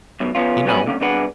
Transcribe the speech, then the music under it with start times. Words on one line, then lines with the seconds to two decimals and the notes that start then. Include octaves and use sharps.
you know,
0.20 F#2 B2
0.35 F3 B3 C#4 F4
0.65 F#3 B3 C#4 G#5 B5
0.86 D3 A#3 C#4
1.01 C2 B2 D4 G#4 B4 F#5